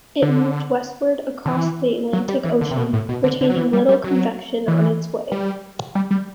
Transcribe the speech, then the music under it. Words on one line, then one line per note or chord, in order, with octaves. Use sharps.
It moved westward across the Atlantic Ocean, retaining little convection on its way.
D3
D3
E3
F#3
G3
E3
D3
C3
B2
A2
B2
D3
D3
F#3
E3
G3
G3
F#3
E3
G3
G3
G3